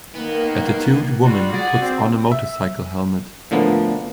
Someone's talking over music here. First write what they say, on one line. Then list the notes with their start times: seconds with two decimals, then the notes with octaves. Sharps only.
A tattooed woman puts on a motorcycle helmet.
0.15 D#3 A#3 B3
1.24 G3 F4 F#4
1.52 F#4 G#4 D5
1.81 C4
2.32 E5
3.51 A2 D3 F3 A#3 B3